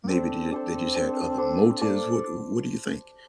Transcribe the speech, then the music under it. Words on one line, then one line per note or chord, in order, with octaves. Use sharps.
maybe they d they just had other motives? What what do you think?
A#3
C4 D4 A4 C5
C4 D4 A4 C5
D4 A4 C5
D4 A4 C5
A#3 D4 A4 D5